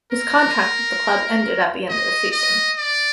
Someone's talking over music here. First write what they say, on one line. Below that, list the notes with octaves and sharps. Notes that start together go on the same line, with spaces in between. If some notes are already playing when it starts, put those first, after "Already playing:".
His contract with club ended at the end of season.
A#4
D#5
D#5
D5